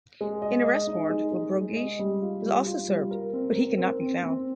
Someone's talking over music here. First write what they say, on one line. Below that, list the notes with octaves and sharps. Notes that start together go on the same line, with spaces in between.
An arrest warrant for Borghese was also served, but he could not be found.
G#3
D#5
D#5
D#4
G#3
G#3
G#3
D#5
G3
F4
G3
F4
G3
A#4
C4
A#4
C4
C4
C4